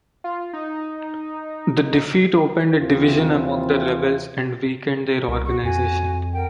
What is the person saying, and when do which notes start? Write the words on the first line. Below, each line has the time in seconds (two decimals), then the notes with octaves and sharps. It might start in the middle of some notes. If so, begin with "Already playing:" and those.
The defeat opened a division among the rebels and weakened their organization.
0.24 F4
0.53 D#4
2.79 D#2 C3 E3 C4 F4
5.28 C2 A#4
5.47 F#4 C#6
5.63 F2 F#4 G#5
6.34 A#4 F#5 G5